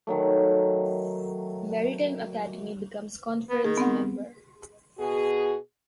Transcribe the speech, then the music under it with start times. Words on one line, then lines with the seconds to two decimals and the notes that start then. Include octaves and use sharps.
Maritime Academy becomes conference member.
0.07 D#3 F#3 A3
3.49 B3
3.64 D#3 G#4
3.78 B3 C4 F#5
4.99 B2 F#4 G#4